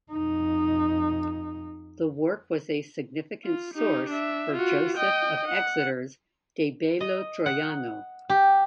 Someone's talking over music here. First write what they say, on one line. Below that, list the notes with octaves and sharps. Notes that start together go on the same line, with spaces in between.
The work was a significant source for Joseph of Exeter's "De bello Troiano".
F2 D#4
F4
D#4 G4
D4 E5
F4 F#4
D#5 G5
F#5
D#5
F#5
G4